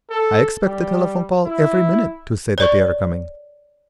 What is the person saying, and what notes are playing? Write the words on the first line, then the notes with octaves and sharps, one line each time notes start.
I expect a telephone call every minute to say that they are coming.
A4
G3
E4
C#5 D5 C#6